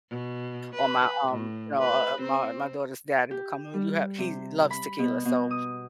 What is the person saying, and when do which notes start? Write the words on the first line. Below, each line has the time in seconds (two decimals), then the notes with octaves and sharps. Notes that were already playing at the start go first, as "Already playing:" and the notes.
Or my, um, uh, um, my my daughter's daddy will come over. "You have" he loves tequila. So
0.10 B2
0.75 B4
1.32 A2
1.79 B4
2.22 C4
3.31 G4
3.74 G3
4.18 C3
4.70 B5
4.99 B2
5.25 B2
5.51 D#6